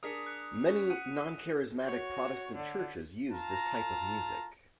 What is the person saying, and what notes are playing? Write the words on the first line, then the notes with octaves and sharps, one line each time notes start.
Many non-charismatic Protestant churches use this type of music.
D4 G#4 A#4 D#6 B6 C#7
F#6 C#7
C#4
F#5 D#7
F#4 C#5
D3
F4 A5 A#5